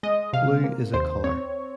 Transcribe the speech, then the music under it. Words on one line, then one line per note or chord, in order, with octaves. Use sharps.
Blue is a colour.
G#3 D#5
C3 F5
A#3
D#2 C5
C4 C#5